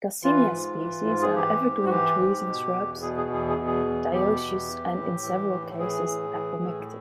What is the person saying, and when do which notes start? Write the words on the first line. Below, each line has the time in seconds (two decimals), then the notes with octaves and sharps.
"Garcinia" species are evergreen trees and shrubs, dioecious and in several cases apomictic.
0.24 E3 F4
0.51 G#2
0.79 E3
1.07 G#2
1.22 G#4
1.34 E3 G4
1.62 G#2
1.86 F#4
1.90 E3 G4
2.18 G#2
2.46 B2
2.74 E2
3.02 B2 G#4
3.17 G#4
3.30 E2 G#4
3.49 G#4
3.58 B2
3.66 G#4
3.86 E2
4.13 B2 G4
4.41 E2
4.69 E3
4.96 A2
5.24 E3
5.52 A2
5.79 E3 G#4
6.07 A2
6.35 E3
6.63 A2